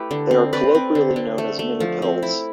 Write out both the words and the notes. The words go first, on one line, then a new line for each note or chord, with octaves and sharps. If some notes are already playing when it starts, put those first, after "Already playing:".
They are colloquially known as mini pills.
Already playing: A3 E4 G4 A4 B4
D3
C4
C4 B4 D5
C4
D3
D3
A3
A3
F3
C4
E4